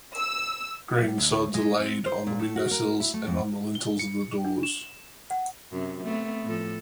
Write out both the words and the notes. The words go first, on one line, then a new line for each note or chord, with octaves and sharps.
Green sods are laid on the windowsills and on the lintels of the doors.
E6
G3
D2
G#3
C4
C5
A#2
A3
F#4
A#4
E4
A3
F2
G7
C#7
D4
E7
F#5
F#2 C3
A3 B3 C4
A2 F3 A4